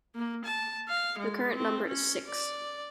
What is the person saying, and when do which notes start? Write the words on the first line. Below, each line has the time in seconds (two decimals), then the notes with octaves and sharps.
The current number is six.
0.15 A#3
0.45 A5
0.89 F5
1.19 G#3
1.56 C4
1.87 C#4
2.27 D5